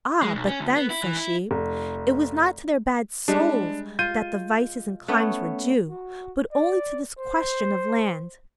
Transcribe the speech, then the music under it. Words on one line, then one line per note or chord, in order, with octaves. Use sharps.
'Ah, but then,' says she, 'it was not to their bad souls that the vices and climes were due, but only to this question of land.
G#3
B1
C#4
D2
B3
E4
E3
E4
F1
G3 G#3 D4
F4 G6 D#7
A3 B3 C#4
F#4
D5
C5